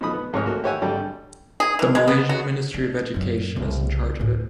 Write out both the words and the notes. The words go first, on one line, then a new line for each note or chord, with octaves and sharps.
The Malaysian Ministry of Education is in charge of it.
B2 F3 D#4 B5 D#6
B3
C2 G#2 G#4 C#5 D#5 F6
A3 A#3 F#4
G4 C5 C#5 E5 F#5 G#5
G#1 D3 G3 G4 A4
G#4
E3
G#3
B3
F#4
D4
F#2 F4
C2 C#3
D2 A2